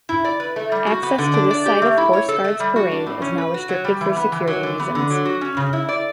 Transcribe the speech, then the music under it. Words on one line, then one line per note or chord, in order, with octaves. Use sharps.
Access to this side of Horse Guards Parade is now restricted for security reasons.
E4
D5
B4
A3
G3
F#4
B3
D3
D4
D5
G4
A3
E4
C#5
A4
A3
G3
F#4
D4
A2
C#4
B4
F#4
F#3
G3
E3
B3
E3
F#3
D3
B3
D3
F#3
F#4
C#4
C#3
E4
D5